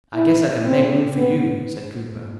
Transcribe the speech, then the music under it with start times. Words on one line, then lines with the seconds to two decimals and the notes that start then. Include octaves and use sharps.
"I guess I can make room for you," said Cooper.
0.15 E4
0.66 C4
1.17 B3